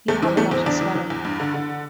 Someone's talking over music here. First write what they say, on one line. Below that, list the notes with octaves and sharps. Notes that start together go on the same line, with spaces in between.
You have a lot of swelling.
E2 A3
E3 C4
E3 A3
E2 C4
E2 D4
E3
E3
E2
G2
D3
D3